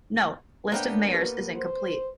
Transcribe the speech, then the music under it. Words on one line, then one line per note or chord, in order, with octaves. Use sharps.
Note: List of Mayors is incomplete.
A#3 B3 D4 C5 C#5 E5 G5
G4 B4
C5